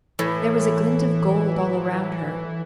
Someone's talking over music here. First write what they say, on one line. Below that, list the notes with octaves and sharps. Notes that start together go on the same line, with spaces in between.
There was a glint of gold all around her.
A2 E3